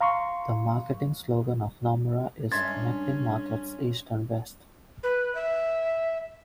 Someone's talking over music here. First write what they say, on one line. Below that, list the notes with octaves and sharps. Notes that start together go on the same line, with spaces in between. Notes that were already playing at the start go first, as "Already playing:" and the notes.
The marketing slogan of Nomura is "Connecting Markets East and West".
F5 A#5 C6 C#6
G2 G#3 C#4 E5 C6 G#6 A6
B4
E5